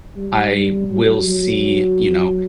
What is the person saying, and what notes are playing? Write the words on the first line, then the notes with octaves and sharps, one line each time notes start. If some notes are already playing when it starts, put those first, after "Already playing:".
I will see, you know,
G3
F#3
F#3